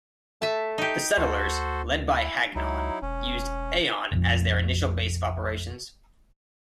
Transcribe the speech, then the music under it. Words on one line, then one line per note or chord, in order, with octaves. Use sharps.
The settlers, led by Hagnon, used Eion as their initial base of operations.
A3 E5 A5
D#4 G4
D2 F#4 A4 C5
E4
C#2 F#3 D#4 E4
E1 C#4
F1 A#1 F2